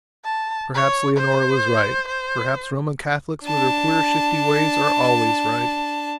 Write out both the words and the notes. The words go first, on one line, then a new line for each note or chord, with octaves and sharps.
Perhaps Leonora was right; perhaps Roman Catholics, with their queer, shifty ways, are always right.
A5
C#5
C5
C5
D4 A5